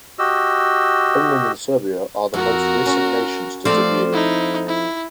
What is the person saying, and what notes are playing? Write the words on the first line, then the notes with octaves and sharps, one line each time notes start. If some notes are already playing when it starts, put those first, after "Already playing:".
Finland and Serbia are the most recent nations to debut.
F#4 G4 D#5 E6
F2 F#4 A#4
C#4
F3 A3 C4 D5
D#4 E4
E4